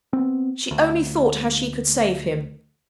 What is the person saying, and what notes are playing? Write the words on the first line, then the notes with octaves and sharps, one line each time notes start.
She only thought how she could save him.
B3 C4
D2